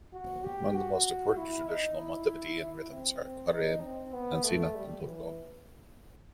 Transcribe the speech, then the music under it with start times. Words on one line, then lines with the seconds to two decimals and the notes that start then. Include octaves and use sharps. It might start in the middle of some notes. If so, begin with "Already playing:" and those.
Among the most important and traditional Montevidean rhythms are: Cuareim, Ansina and Cordon.
0.13 F#4
0.44 G4
0.75 F#4
1.37 E4
1.67 D#4
1.97 E4
2.60 E4
2.90 C4
3.20 C4
3.52 D#4
3.82 C4
4.13 B3
4.44 A3
4.75 G3
5.05 E3